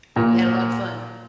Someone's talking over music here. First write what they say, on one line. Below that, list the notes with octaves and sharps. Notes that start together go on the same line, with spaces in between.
But we had a lotta fun.
A#2